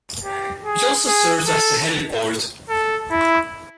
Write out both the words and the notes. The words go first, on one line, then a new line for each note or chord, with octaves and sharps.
It also serves as a heliport.
G4
G#4
G#4
A4
A4
E4